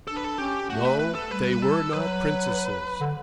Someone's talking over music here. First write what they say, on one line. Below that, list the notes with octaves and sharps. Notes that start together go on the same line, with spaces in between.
No, they were not princesses.
D4 A4
B4
A4
C#4 G4
A3 F#4
B4
B4
A4
G3 B4
A4
F#3 B4
D3